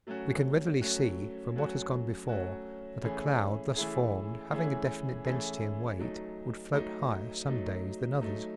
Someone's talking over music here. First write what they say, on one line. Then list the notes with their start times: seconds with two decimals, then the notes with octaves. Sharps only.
We can readily see from what has gone before that a cloud thus formed, having a definite density and weight, would float higher some days than others.
0.07 F#3 A3 C#4 F#4
0.81 F#3 A3 C#4 F#4
1.56 F#3 A3 C#4 F#4
2.29 F#3 A3 C#4 F#4
3.03 E3 A3 C#4 E4 G#4
3.77 E3 A3 C#4 E4 G#4
4.51 E3 A3 C#4 E4 G#4
5.25 E3 A3 C#4 E4 G#4
5.99 F#3 A3 D#4
6.73 F#3 A3 D#4
7.48 F#3 A3 D#4
8.21 F#3 A3 D#4